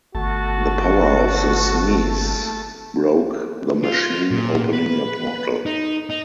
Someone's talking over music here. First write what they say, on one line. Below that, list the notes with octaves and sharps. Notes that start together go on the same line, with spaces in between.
The power of the sneeze broke the machine, opening a portal.
G1 A3 F#4 A5
F4
A#2
B4
D#4
D#4